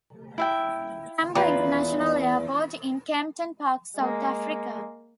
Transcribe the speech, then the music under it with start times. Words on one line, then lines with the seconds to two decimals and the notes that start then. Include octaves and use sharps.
Tambo International Airport in Kempton Park South Africa.
0.38 E4 E5 G5
1.35 E2 F4 B4 A#5
3.97 G#3 A#3